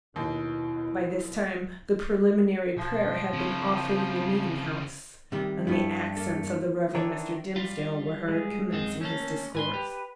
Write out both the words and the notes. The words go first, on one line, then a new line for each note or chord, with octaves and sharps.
By this time the preliminary prayer had been offered in the meeting-house, and the accents of the Reverend Mr. Dimmesdale were heard commencing his discourse.
D#2 B2 E4
B2 F3
C#3 C4 E4
C3 D#3 G3
G2 G3 A3 B3 E4
A#3 A4
D#3 E3 D4 C#5 D5 E5
G3 F4
G#3 G#4
F#2 C4 D#4
A3 A#3 C#4 A4
G#2 B4 G#5 C6
G4